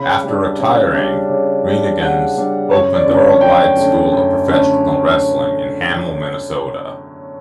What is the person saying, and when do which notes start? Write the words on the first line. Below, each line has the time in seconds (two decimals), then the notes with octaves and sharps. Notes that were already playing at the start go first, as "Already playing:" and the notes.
After retiring, Rhenigans opened the World Wide School of Professional Wrestling in Hamel, Minnesota.
Already playing: C#3 B5
0.24 G3 D4
0.59 C#3
0.94 G3 D4
1.29 C#3
1.65 G3 D4
2.00 C#3 F#5
2.36 G3 D4
2.71 F#2 C#5
2.94 D5
3.06 D3 A3 C#4
3.18 C#5
3.41 F#2 G5
3.77 D3 A3 C#4
4.12 F#2
4.47 D3 A3 C#4